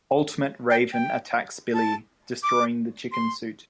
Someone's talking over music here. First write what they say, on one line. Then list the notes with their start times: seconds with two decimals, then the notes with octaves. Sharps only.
Ultimate Raven attacks Billy, destroying the Chicken Suit.
0.70 G5
0.93 G5
1.74 A5
2.43 D6
3.12 C6